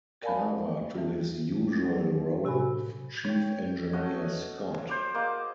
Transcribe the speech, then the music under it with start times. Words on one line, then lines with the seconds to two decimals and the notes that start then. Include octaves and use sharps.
Carver to his usual role of Chief Engineer Scott.
0.22 A#4 D5 F5 G#5 A5 B5
0.95 E3 G3 F4
1.86 F#3
2.44 A2 C3 F#4 G#5 B5
3.24 C#5 G5
3.93 A3 C#4 F#4 D#5
4.89 C5 D5
5.14 A#3 G#4 D#5 D6